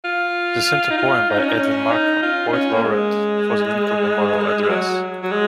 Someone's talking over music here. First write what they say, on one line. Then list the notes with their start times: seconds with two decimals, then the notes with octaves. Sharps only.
The center poem by Edwin Markham, poet Laureate for the Lincoln Memorial address.
0.05 F4
0.90 D#4
0.98 F4
1.29 D#4
1.39 C#4
1.49 D#4
1.59 C#4
1.91 D#4
2.22 F4
2.48 D#4
2.53 C#4
2.74 A#3
2.84 G#3
4.63 G#3
4.69 F#3
5.23 F#3
5.31 G#3